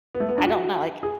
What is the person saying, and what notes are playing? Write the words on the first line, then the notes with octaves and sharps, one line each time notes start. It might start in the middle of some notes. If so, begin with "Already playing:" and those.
I don't know, like,
B3
A3
B3
D4
F#4
G#4